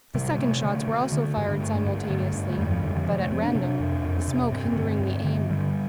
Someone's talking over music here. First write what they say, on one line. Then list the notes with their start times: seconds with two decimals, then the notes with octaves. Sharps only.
The second shots were also fired simultaneously, but at random, the smoke hindering the aim.
0.15 C3 G3
0.39 C3 A3
0.63 D3 A3
0.87 D3
1.12 D3
1.37 G2
1.60 D3 A3
1.86 G2
2.09 D3
2.33 G2
2.50 A3
2.58 F2 G3
2.71 F3
2.82 F2 D3
2.95 D3
3.07 C3 F3
3.19 A3
3.31 C3 C4
3.42 D4
3.55 C3
3.80 F2
4.04 F2
4.28 C3
4.52 G2 C4
4.76 D3
5.01 G2
5.25 D3
5.50 D3 G3